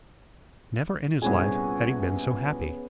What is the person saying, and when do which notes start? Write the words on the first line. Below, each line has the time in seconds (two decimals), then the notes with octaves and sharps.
Never in his life had he been so happy.
1.22 C2 A#2 B3 C#4 G#4